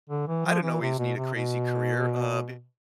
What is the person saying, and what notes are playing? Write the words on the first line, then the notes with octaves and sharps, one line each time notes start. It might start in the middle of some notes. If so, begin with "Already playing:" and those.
I didn't always need a crazy career, uh,
D3
E3
F3
E3
C3
B2
C3
B2